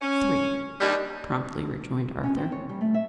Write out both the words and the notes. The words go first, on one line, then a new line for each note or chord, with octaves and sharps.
"Three," promptly rejoined Arthur.
C#4
D#2 G3 D4 D#4
C#4
C4
C#5
G3
A3
E5